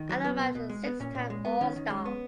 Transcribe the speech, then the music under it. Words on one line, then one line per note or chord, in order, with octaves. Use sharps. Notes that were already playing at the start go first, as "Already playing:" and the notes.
Alomar is a six-time All-Star.
Already playing: D#3 D#4
F#3
B3
B2
B2
G#3
B3
A#2 C#4
A#2
G#3
B3
D#3 C#4
D#3
G#3
B3